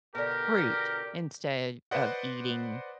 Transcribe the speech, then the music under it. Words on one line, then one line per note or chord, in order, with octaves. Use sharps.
fruit instead of eating
B2 D3 G4 A#4
B4 C5 D5 D#5 F#5